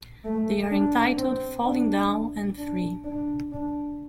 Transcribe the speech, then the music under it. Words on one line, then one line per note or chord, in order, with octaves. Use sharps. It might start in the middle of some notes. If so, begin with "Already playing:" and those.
They are entitled "Falling Down" and "Free".
A3
D4
C4
D4
D4
D4
D4